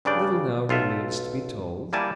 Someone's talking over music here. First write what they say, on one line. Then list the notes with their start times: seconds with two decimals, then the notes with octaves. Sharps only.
Little now remains to be told.
0.05 G2 C#3 D4 D5 G5
0.69 B1 F4 A4 E5
1.93 G3 A#3 E4 D5 G#5 A5